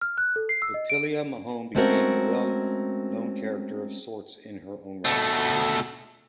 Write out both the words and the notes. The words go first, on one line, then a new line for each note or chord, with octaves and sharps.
Otelia Mahone became a well-known character of sorts in her own right.
F6
F#6
A4
C7
E6
D#5
D7
G#3 A3 C4 C#4 F#4 A#4
B2 A3